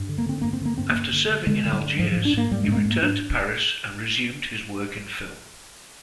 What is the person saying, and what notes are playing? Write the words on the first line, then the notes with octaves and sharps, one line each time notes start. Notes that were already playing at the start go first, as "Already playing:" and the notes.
After serving in Algiers, he returned to Paris and resumed his work in film.
Already playing: G2
D3
A#3
D3 C4
G2 A#3
C4
D3 A#3
G2 C4
A#3
G2
D3
D3
D3 G#3
D3
G3
G2
G#2 F3
G#2 F3
D4
G#2 A#3
G#2 G3
G#3
G#2 A#3
G#3
G#2
A#3
G#2 D4